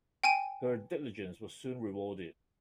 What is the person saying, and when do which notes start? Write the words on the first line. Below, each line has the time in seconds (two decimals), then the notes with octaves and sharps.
Her diligence was soon rewarded.
0.24 G5 G#5 D#7